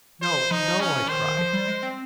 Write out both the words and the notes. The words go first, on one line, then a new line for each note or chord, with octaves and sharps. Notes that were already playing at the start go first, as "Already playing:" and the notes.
"No, no!" I cried.
C5
F3 D#4
C#4
D#3 C5
F3
G3
G#3
C4